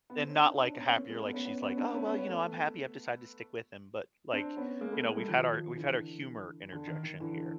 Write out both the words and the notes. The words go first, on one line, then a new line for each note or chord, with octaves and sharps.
and not like a happier like she's like, "Oh well, you know, I'm happy I've decided to stick with him." But like, you know, we've had our we've had our humor interjection here,
B3
C4
C#4
D4
C#4 D#4
C4 D4
B3 C#4
B3 C#4
A#3 C4
G#3 A#3
A3 B3
B3 C#4
B3 C#4
B3 C#4
C4 D4
B3 C#4
B3 C#4
B3 C#4
A3 B3
C4 D4
B3 C#4
G#3 A#3
A3 B3
G#3 A#3
G3 A3
D#3 F3
D3 E3
D3
D#3
D#3
D3 E3